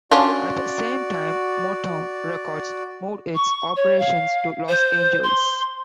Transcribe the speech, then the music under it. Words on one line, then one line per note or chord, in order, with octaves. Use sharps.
At the same time, Motown Records moved its operations to Los Angeles.
C#4 D4 F4 F#4 D5
C#6
C#5
F5
C5
C6